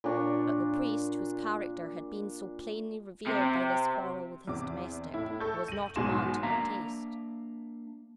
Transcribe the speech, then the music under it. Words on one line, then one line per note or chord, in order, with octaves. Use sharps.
But the priest, whose character had been so plainly revealed by this quarrel with his domestic, was not a man to their taste.
A#2 D4 C#6
C3
E2 C3 D6
A2 E4
A4 C#6 G6
D#7 F#7
B1 G#2 B2 G#5 C6 E7
A#3 D4 E5 F5 A#5